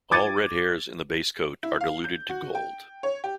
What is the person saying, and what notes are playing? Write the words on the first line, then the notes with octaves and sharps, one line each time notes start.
All red hairs in the base coat are diluted to gold.
D6 G#6 A6 C#7 D#7
E4
F5
G6
F#4
G5
C#5
G4